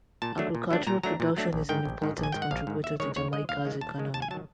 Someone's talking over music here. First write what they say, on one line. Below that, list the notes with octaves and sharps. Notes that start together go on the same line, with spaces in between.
Agricultural production is an important contributor to Jamaica's economy.
A#2 A5
F#3 A3 D4
A#2
F#3 A3 D4
A#2 A#5
F#3 A3 D4 A#5
A#2
F#3 A3 D4
A#1
G#2 D#3 G5
A#1
G#2 D#3
A#1
G#5
G#2 D#3 G5
F#5
A#1 F5
G#2 D#3
D#2 E5
D#3 G#3 C#5
D#2 C#5
D#3 G#3 D#5
D#2 F5
D#3 G#3
D#2 A5
D#3 G#3
D#2 A5
G#5
D#3 F#3 A5